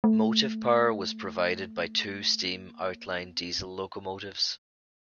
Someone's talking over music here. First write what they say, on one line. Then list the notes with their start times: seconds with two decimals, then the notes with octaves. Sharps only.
Motive power was provided by two steam outline diesel locomotives.
0.04 A3
2.46 A#3
3.07 B3
3.37 C4